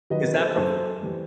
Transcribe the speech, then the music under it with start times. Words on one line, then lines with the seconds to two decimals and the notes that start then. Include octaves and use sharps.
Is that from
0.10 D#3 F#3 B4 D#5
0.25 B4
0.34 A4 C5
0.56 F#2 A4 C5
1.03 E3 G3